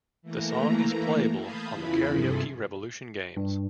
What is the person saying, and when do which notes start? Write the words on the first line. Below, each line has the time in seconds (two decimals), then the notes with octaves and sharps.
The song is playable on the Karaoke Revolution games.
0.22 E3 A3 A#3 A#5
1.37 F5 A5 B5 D#6 G6 G#6
1.71 E2 C#3 E3 E4 F4 B5
2.05 G2 C3 F3 G#4 A4
3.37 G2